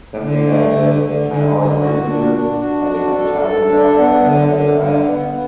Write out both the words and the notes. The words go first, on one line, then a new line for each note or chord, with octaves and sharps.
something that I just kinda always wanted to do. Like, it's like a childhood job that I never got.
D3
A3
D3
D3
D3
D3
F#4
D4
D4
F#4
D4
A4
A4
D4
B3
D3
D3
D3
B3
B3